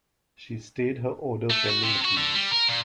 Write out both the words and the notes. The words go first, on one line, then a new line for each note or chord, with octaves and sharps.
She stayed her order pending appeal.
A3
F#4
C3
F#4
D3
G3
A#4
A#2